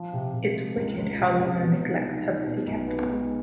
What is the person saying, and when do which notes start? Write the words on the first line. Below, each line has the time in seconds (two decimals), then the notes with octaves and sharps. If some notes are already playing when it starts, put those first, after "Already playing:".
It's wicked how Lara neglects her pussy cat.
Already playing: F3
0.13 C3
0.33 C3
0.55 G#3
0.76 C#2
0.98 C#2
1.19 C3
1.39 C#2
1.61 B2
1.82 D#4
2.02 D#4
2.23 D#4
2.45 B2
2.67 B1
2.87 B3
3.09 G#3